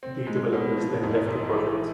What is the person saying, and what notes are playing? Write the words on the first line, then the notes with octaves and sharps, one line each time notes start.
The developers then left the project.
C4
G#3
B2
F3
G#2
A#1
E3